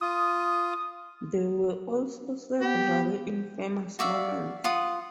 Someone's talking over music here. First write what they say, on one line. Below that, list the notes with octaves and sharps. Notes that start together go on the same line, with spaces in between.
There were also several infamous moments.
F4 D#6
B3 G4
F#4 D5 E5 F5
F4 F#5 D#6